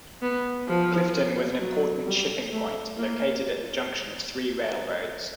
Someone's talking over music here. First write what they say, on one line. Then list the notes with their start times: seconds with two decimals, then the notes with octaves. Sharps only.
Clifton was an important shipping point located at the junction of three railroads.
0.22 B3
0.68 F3
1.60 F#3
2.06 G3
2.52 A3
2.98 A#3